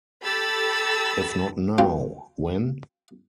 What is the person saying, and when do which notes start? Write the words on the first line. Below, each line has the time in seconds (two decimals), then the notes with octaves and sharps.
If not now, when?
0.22 G4 A4 B5 E6 A6
1.78 B1 C4 F4 G5